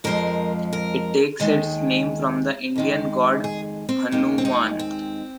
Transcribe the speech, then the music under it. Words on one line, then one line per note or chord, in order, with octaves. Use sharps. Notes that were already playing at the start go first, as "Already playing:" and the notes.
It takes its name from the Indian God Hanouman.
F2 F3 G#3 A#4
A#4
D#2 D#3 G#3
F2 D#3 G#3
G#4
C4
D#2 D#3 G#3 A#3
C4
D#4
C4